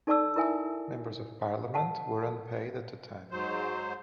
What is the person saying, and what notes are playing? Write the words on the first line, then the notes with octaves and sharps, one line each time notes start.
Members of parliament were unpaid at the time.
D#4 A4 D5 A5 D6 E6
E4 A#4 E5 G#5
F5 F#5 A5
G#2 F#3 C5